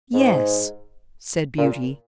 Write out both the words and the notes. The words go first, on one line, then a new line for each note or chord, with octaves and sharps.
"Yes," said Beauty.
G#2
A#2